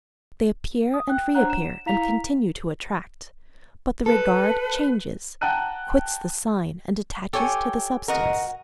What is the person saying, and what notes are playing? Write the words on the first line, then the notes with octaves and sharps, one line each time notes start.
They appear and reappear and continue to attract; but the regard changes, quits the sign and attaches to the substance.
D#6
G5 F#6
D4 C5 C#5 F#5 A#5 F#6
E7
E4 F5 A#5 B6 F7
A4 B4
F#5 G5 A5 A#5 F#6 D#7
G4 A4 C#5 G#5
F#4 A#4 D#5 F#5